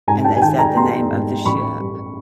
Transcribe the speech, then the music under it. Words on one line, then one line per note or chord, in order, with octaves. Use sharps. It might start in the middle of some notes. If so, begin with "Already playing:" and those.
And is that the name of the ship?
G#2 G#5 A#5
G5 A5
G#5
D#3 G5 A5
G#5 A#5
B3 A#5 C6
G#2
A1 B5 C#6
G2